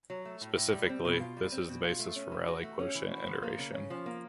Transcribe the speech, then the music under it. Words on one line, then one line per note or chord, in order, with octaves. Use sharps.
Specifically, this is the basis for Rayleigh quotient iteration.
F#3
A3
A2
A2
G3
C4
B2
F4
G3
C4
B2
F4
A3
C#4
E3
F#4
A3
C#4
E3
F#4
F3
A#3
C#3
C#4
F3
A#3